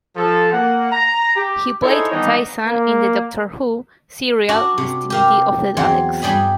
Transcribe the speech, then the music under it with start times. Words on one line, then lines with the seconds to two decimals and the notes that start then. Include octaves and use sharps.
He played Tyssan in the "Doctor Who" serial "Destiny of the Daleks".
0.16 F3 A4
0.52 A#3 F#5
0.91 A#5
1.36 G4
1.82 D#4 E4 G#4 A4 C5 C#5
2.12 D#3 E3 G3 B3 D4 D#4
2.67 A#3
4.49 D4 F#4 A#4
4.78 C3
5.10 G4 A#4 F5
5.77 E2 F#3 C4
6.22 G2 G3 G#4 D#5 B5